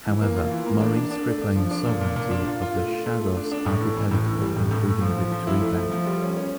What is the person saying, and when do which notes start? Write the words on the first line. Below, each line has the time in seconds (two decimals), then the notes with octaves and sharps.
However, Maurice reclaims the sovereignty of the Chagos archipelago, including Victory Bank.
0.06 E3
0.21 A#3
0.36 F4
0.51 E3
0.66 A#3
0.81 D4
0.96 D4
1.11 D4
1.26 A3
1.41 D4
1.56 F3
1.71 D4
1.86 A#2
2.01 A#2
2.16 A#2
2.31 D4
2.47 F4
2.62 F4
2.76 A3
2.92 F4
3.06 A3
3.21 A3
3.37 D4
3.52 D4
3.66 A2
3.81 E3
3.97 E3
4.11 A2
4.27 E3
4.42 G3
4.56 A2
4.71 A2
4.86 A3
5.01 F3
5.16 F3
5.32 F3
5.47 E4
5.61 A3
5.77 F3
5.91 F3
6.07 G3
6.22 C#4
6.37 C#4